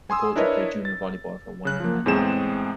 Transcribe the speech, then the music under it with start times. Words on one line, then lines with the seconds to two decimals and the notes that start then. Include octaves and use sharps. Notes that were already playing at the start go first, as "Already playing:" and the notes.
McGoldrick played junior volleyball for Wynnum Manly.
0.10 G#5 C6 D#6 E6
0.36 D4 E4 A#4 B4 C#5 D#5
0.85 A6
1.65 C#3 F#6
1.80 F3 A#3
2.06 E2 A2 G#3 C4 G#4 E7